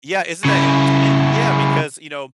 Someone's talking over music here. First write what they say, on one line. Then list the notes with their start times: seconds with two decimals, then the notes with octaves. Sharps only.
Yeah, isn't that interesting? Yeah, because, you know,
0.46 C#3 E4